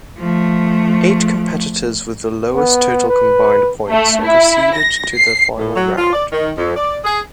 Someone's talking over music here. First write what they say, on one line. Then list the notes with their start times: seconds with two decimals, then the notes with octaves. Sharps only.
Eight competitors with the lowest total combined points proceeded to the final round.
0.18 F3 A3
2.55 B3
3.08 B4
3.90 A3
4.25 E4
4.75 A#6
5.16 C7
5.57 A2
5.75 F#3
5.97 F4
6.12 D5
6.32 D#3
6.57 F2
6.76 D5
7.03 G#4